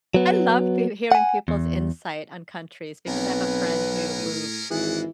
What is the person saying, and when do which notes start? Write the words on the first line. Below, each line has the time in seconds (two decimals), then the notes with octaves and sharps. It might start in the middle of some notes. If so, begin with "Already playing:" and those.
love peo hearing people's insight on countries, because I have a friend who moved,
0.14 F#3 B3
1.12 F#5 G#5
1.48 E2
3.07 B1 C4 C#4 G#4 A#4 B4
4.18 A2
4.70 G#1 E3 A#3 D4 G#4 F#5